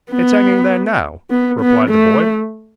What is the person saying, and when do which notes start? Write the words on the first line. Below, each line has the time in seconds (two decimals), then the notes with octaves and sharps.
'It's hanging there now,' replied the boy.
0.12 B3
1.31 B3
1.61 B3
1.90 A3